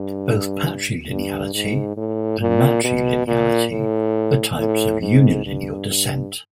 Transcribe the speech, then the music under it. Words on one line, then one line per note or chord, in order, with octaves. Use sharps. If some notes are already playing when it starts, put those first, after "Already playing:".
Both patrilineality and matrilineality are types of unilineal descent.
Already playing: G2
G2
G#2
A2
A#2
B2
A#2
A2
A2
G#2
G2
G2